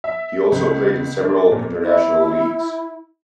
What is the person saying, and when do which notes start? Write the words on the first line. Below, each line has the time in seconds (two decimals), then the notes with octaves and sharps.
He also played in several international leagues.
0.04 E5
0.52 C#2
1.19 D4
1.52 A#2
1.82 E4